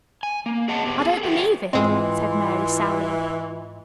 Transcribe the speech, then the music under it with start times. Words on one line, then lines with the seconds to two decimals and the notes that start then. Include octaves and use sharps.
"I don't believe it!" said Mary sourly.
0.23 G#5
0.46 A#3
0.68 G#4 D#5 F#5 A5
0.83 B3 G4 G5
1.00 G#4 A4
1.23 F#4 G#4 B4 E5 F#5 G5
1.73 G#2 E3 G#3 C4 F4 D#5